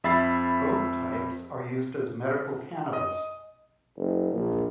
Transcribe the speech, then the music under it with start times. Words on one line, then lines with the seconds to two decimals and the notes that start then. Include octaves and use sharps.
Both types are used as medical cannabis.
0.04 F2 E5 B5 A6 C7
2.93 D#5
3.97 F#1
4.32 A#1